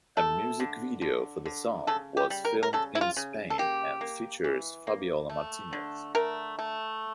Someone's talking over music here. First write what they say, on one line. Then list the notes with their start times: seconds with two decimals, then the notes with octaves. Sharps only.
A music video for the song was filmed in Spain and features Fabiola Martinez.
0.17 A3 A4
0.60 D3
1.02 D3
1.46 D3
1.87 C#3 A4
2.17 G4
2.30 G3
2.45 A#4
2.63 A#4
2.73 C#3 A4
2.95 E4
3.01 F4
3.17 C#3
3.50 A4
3.58 A#3 G4
4.01 A#3
4.44 E3
4.87 A#3
5.29 A3
5.73 D3
6.15 A3 A#4
6.59 A3